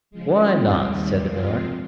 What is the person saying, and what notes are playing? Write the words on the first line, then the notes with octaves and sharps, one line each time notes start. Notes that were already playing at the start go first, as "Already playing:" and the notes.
'Why not?' said the Miller.
C#3 F3 G#3
C#3 G3 C4 F4
D#2 D#3 G3
C3 F3 G#3 C4 F4